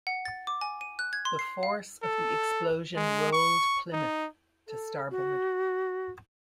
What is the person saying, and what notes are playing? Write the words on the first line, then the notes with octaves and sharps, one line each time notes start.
The force of the explosion rolled "Plymouth" to starboard.
F#5
A6
D6
G#5
D#7
F#6
G#6
C6
C7
F5
A4
G#3
C#6
D#4
A4
F#4